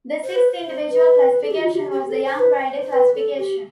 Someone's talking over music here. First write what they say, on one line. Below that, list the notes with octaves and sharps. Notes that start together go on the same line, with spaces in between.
The sixth individual classification was the young rider classification.
C5
B4
C5
B4
A4
G4
F4
F4
G4
G4
A4
C5
B4
C5
C5
B4
A4
G4